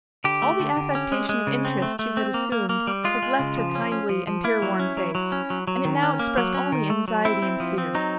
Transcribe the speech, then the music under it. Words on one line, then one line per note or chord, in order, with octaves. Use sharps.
All the affectation of interest she had assumed had left her kindly and tear-worn face and it now expressed only anxiety and fear.
D3 G4
A3
D3
D3
C#4
G#3
G#3
C#3
C4
A3
A3
C4
A#3
A#3
A#3
G3
G#3 F4
G#3
C#3
F3
C#4
C#4
F3
F3
A#3 E4
F#3
C#4
F#3
F#3
C#4
F#3
F#3
D#3
C#4
A#3
F#3
C#4
D#3
A3
F#3
C4 E4
C4
F3
C4
F#3 D#4